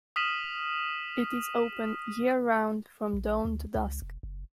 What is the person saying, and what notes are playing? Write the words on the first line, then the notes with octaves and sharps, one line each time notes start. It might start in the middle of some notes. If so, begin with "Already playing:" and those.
It is open year-round from dawn to dusk.
D#6 F6 B6 D#7 E7 F#7
A#1
D2
C#2
F1
F#1